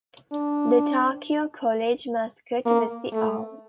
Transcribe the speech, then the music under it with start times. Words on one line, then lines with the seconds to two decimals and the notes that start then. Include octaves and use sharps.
The Tarkio College mascot was the owl.
0.32 D4
2.65 A#3
3.12 A3